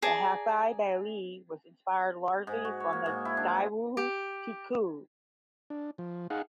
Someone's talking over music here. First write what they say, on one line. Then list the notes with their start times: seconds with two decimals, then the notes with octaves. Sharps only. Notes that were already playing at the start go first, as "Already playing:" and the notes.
The Hafei Baili was inspired largely from the Daewoo Tico.
0.02 G#4 D5 A5 A#5
2.47 G#2
2.65 F#4
2.80 C#5
2.93 A#3
3.06 G#2
3.25 E4
3.37 D4
3.49 G#5
3.97 G4
5.70 D4
5.98 F3
6.30 D#4 G#4 F5 F#5